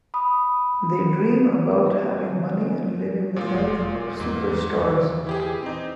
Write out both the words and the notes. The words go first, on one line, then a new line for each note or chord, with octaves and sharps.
They dream about having money and living the life of superstars.
B5 D#6
G#3 A#3 C4 F4 B4 D#5
G3 C#5 C#6
F#4 G4
C4 F4 F#4 C5
D3 C#5 G#5
F3 D4 D#5 G#5
A#2 G#3 F4
E1 F2 F#3
E2 G#2
E2 A#2 E3
E4 G4 G#4
C4 D#4